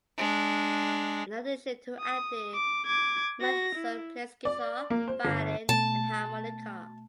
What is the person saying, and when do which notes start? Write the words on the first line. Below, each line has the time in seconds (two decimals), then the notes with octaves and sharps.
In addition to acting, Matheson plays guitar, violin and harmonica.
0.18 G#3 D4
1.99 D#6
2.54 D6
2.86 D6 G#6
3.41 F#4 A#6
3.75 E4
4.45 D5
4.90 A#3
5.08 C5
5.25 G1
5.69 B2 A3 A5